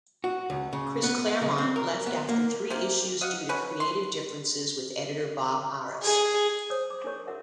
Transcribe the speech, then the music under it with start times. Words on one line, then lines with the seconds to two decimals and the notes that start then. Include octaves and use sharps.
Chris Claremont, left after three issues due to creative differences with editor Bob Harras.
0.24 F#4
0.50 C#2
0.73 C#3
1.03 B3
1.41 C#3
1.58 C4
1.76 A#4
2.06 B3
2.29 A#3
2.70 C3 A#3
3.21 D#5 F5 F#5
3.49 C#4 B4
3.80 C6
6.03 G#4
6.70 C5 C#5 D#6
6.90 D6
7.04 D4 G#4 A#4 C#5 C#6
7.27 F#4 A#4 E5 F#5